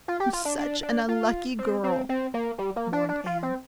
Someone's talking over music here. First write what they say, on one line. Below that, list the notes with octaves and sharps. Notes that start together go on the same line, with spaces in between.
"I'm such an unlucky girl," mourned Anne.
F4
G4
F4
D4
D4
D4
F4
C4
C4
C4
A#3
G3
A#3
D4
D4
F4
C4